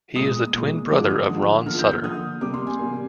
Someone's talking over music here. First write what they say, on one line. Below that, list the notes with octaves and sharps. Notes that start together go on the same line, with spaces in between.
He is the twin brother of Ron Sutter.
A#2 G#3 D#6
A#2 G#3
D3 F3 G#3 D6
D#6
D3 F3 G#3
D3 F3 A#3 F6
G6
F6
D3 F3 A#3 D#6
C3 G3 A#3 D6
C6
G#5
C3 G3 A#3